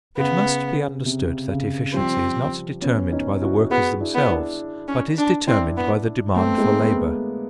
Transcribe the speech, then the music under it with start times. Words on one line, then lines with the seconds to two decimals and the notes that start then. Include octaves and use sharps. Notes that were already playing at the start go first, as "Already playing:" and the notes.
It must be understood that efficiency is not determined by the workers themselves, but is determined by the demand for labour.
0.17 C#3 B3
1.06 C3
1.50 C#3
1.94 F3 G3 C4
2.82 B3 C#4
3.12 C#4 D#4
3.42 E4 F#4
3.70 B3 F#4 G#4
4.00 D4 E4
4.15 B3
4.30 D4 E4
4.88 C#4
5.18 D4
5.47 C4 D4 E4
5.77 B3
6.36 A3 B3 C4
6.58 G#3 A#3
6.81 A3 B3